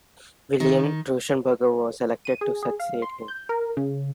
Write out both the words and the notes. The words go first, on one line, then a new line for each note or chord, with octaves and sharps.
William Rauschenberger was elected to succeed him.
D#3 D#4
D#7
G#4
G#4
F5
C6
G6
A#4
C#3